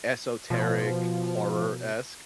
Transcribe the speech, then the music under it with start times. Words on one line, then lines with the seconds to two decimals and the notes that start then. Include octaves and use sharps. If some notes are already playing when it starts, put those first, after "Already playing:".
esoteric, horror-esque
0.50 B2 F3